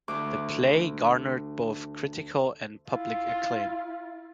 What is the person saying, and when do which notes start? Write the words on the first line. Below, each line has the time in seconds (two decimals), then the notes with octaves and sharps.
The play garnered both critical and public acclaim.
0.08 D2 D6
2.89 E4 F4